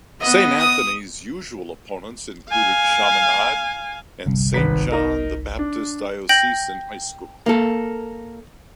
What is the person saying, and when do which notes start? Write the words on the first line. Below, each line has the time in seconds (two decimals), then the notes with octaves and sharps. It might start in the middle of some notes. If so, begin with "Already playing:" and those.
Saint Anthony's usual opponents include Chaminade and Saint John the Baptist Diocesan High School.
0.20 B3 D#5
0.59 D#6
2.50 F5 G#5
4.26 G1 C2
4.54 G#1 B4 B6
4.92 D#4 A#4
5.59 D4
6.29 G5 G6 A#6 F#7
7.46 A#3 A4